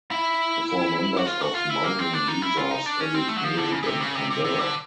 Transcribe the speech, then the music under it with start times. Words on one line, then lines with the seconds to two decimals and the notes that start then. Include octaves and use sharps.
The four members of Moaning Lisa studied music in Canberra.
0.11 E4
1.17 F#4
1.27 F4
1.41 F#4
1.55 F4
1.70 E4
1.84 A#3
1.99 C4
2.14 D4
2.28 D#4
2.42 E4
2.57 F4
2.71 D#4
2.86 D4
3.00 C#4
3.14 C4
3.28 A3
3.37 F#3
3.44 F3
3.58 D3
3.72 C#3
3.83 C#3
3.86 C3
4.01 C#3
4.15 C3
4.30 C3
4.44 C3
4.59 D3